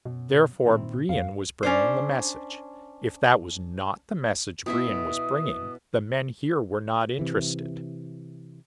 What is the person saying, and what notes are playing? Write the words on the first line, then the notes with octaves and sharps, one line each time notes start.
Therefore Brion was bringing the message. If that was not the message Brion was bringing the men here were not interested.
F#2 B2
A#2 D#3 C4 E4
F2 F5
C#4 D4 C5
B2 E4 E5 D#6
C3 E3